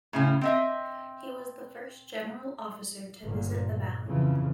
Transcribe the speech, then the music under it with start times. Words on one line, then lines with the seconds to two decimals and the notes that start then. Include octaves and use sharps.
He was the first General officer to visit the valley.
0.13 A2 C#3 C#4
0.41 C4 D#5 E5
3.22 G1 G2 A#2
4.05 F2 C#3 E3